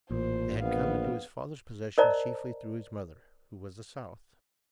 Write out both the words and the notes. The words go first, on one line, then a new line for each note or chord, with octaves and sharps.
They had come into his father's possession chiefly through his mother, who was a South.
A1 A#2 C5
A#1 B3 F5
A#4 C5 D5 D#5 A5 A#5